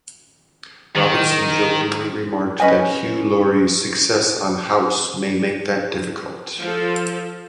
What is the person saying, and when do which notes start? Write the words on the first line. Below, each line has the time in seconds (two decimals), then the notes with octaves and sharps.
Robinson jokingly remarked that Hugh Laurie's success on "House" may make that difficult.
0.95 D#3
2.60 C#4 B4 D#5 G#5
6.58 F3 F4 A4